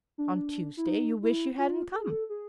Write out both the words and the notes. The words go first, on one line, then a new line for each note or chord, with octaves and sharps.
On Tuesday, you wish you hadn't come.
D4
E4
D#4
E4
F4
A4
G#4
A4
G#4